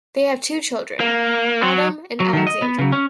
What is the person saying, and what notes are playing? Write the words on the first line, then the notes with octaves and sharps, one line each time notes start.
They have two children: Adam and Alexandra.
A#3
F#3
F#3
D#3 F#3
D#5
B3
C#3 F#3
C#4